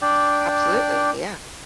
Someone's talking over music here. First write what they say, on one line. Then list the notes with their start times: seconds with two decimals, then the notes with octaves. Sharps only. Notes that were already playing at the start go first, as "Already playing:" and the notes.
Absolutely, yeah.
0.02 D4 D5 G5